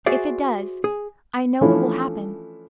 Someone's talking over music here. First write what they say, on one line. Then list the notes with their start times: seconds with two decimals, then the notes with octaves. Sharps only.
If it does, I know what will happen.
0.06 F#4 G#4 C5 D5 E5
0.84 G#4
1.61 E3 F3 A3 C#4 D4 E4